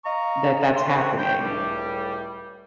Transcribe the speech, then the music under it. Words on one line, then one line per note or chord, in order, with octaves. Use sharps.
that that's happening,
D#5 F5 A#5 C#6
C#5 C6
D#3 C4 F#4 C#5
C4 F4 G5
C#2 A2 G3